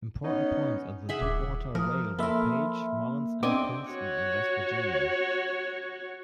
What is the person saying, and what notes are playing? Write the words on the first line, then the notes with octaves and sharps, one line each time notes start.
Important points on the Deepwater Railway were Page, Mullens and Princeton in West Virginia.
B3 C#4 D#4
G#4 E5 F#5
D#1 D6
F3 A#4 D#6 F6
A#3 A4 A#4 E5 B5 C6 F6
B3 C4 D4 C5 D#5 G#5 D6 D#7
F#4 C#5